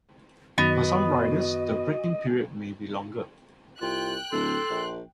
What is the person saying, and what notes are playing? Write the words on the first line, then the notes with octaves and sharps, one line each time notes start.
For some riders the break-in period may be longer.
F#2 D#3 B3 F#4 D#5
C2 F4 G5 F#6
D1 A4 C6
A#1